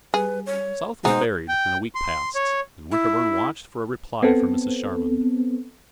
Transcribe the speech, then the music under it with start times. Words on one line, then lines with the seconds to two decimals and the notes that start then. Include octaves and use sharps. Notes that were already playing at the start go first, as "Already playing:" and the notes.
South was buried, and a week passed, and Winterborne watched for a reply from Mrs. Charmond.
0.14 G3 G#4 B4
0.46 C#5
1.05 B2 G#3 D#4 G#4 C5 F#5
1.49 G5
1.95 C6
2.35 C#5
2.91 E4
4.23 B3 C4 A4